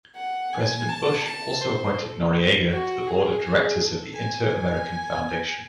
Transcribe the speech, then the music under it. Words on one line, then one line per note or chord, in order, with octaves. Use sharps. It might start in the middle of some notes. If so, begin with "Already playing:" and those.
President Bush also appointed Noriega to the Board of Directors of the Inter-American Foundation.
F#5
G#5
A5
A5
C5
A4
F#4
G#4
G#4
A4
G#5